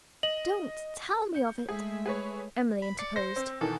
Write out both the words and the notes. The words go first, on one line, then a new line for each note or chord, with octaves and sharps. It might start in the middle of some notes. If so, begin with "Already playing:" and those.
"Don't tell me of it!" Emily interposed.
D#5 F#7
G6 C#7
G#3 A3 G#4 E5
G#4 B4 C#5
B5
D5 C#7
C5 A#6
C4
B2 D#3 E3 A4